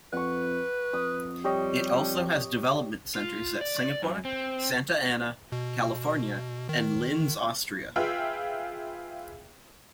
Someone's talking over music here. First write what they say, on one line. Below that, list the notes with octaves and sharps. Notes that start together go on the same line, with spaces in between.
It also has development centers at Singapore, Santa Ana, California, and Linz, Austria.
F2 B4 F#5 C#6
F2 D#6
G3 G4 C#5 D#5
F4
D5
F#2
C4
B2
D#3
F4 G#4 B4 E5 F5 G5